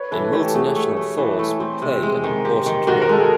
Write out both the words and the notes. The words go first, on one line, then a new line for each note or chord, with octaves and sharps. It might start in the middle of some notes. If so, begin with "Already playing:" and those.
A Multinational Force would play an important role.
Already playing: B4 C#5
E3 A4 B4
A3 G4 A4
A3 F#4 G#4
A3
A3
E3
A3
C4
C3
G#3
D#3
C4 G4
D#3
D#3 F#4
A#4
G#3 A4
G#4